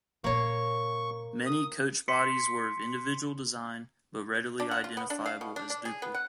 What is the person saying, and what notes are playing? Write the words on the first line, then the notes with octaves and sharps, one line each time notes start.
Many coach bodies were of individual design, but readily identifiable as Duple.
A#2 C#3 A#3 C#5 C#6
D#6
C6 B6 C#7
D4
F#5
F4
B3
D4
F5
B2
D4
D4
G#4
B3
F#5